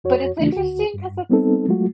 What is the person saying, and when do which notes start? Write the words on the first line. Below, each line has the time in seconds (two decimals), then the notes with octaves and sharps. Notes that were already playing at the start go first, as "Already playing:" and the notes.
But it's interesting 'cause it's
0.04 F2 F#4 C#5
0.38 D#2 C#3 E3 A3 D4
0.52 D2 F#4
0.94 G2
1.30 G3 B3 C4 D#4 A4
1.68 F#3 G#3 A3 F4 F#4